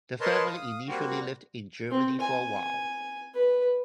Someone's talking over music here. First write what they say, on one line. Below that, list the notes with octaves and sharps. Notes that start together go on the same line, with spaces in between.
The family initially lived in Germany for a while.
A#4 B4 C#5 D#5 A5 C6
F5 D#6
G3 A#3 C4 F#4
C4
G#5
B4